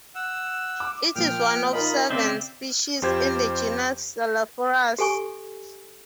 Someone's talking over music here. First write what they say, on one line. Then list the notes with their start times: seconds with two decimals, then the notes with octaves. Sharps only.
It is one of seven species in the genus "Selasphorus".
0.15 F#5 E6
0.80 D6
1.15 A#2 F3 G5 F6
1.73 D#4 F4 A#4 D#5 B5
2.11 C#3 C4 D5 E5
3.02 F2 F4 G4 C5 G#6
4.99 G4 A4 G#5 C#6